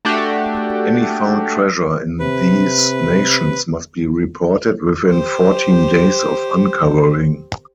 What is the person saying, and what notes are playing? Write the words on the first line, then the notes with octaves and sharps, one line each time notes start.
Any found treasure in these nations must be reported within fourteen days of uncovering.
A3 D4 F#4 G4
C3 B4
G4 C5